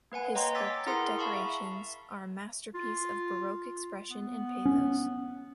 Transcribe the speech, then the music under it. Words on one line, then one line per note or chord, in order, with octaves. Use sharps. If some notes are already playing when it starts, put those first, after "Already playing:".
His sculpted decorations are a masterpiece of baroque expression and pathos.
A#3 B4 F#5 G#5
C#5 D#5 G5 A#5 C6
G#5 D6 E6 A6 B6
E4 G#4 A#4 F#5 A#5 C6
F5 A5 B5 C#6
E5
F4
B3
C#4